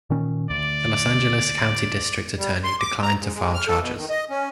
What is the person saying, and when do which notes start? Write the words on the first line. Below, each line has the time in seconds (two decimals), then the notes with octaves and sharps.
The Los Angeles County District Attorney declined to file charges.
0.10 A#2 D#3 C#4
0.50 D2 D5
2.37 G3
2.64 C6
2.80 D6
3.03 A#5
3.18 G#2
3.34 G#3
3.54 F6
3.67 A4
3.80 B2
3.96 D#3
4.09 D#5
4.30 C#4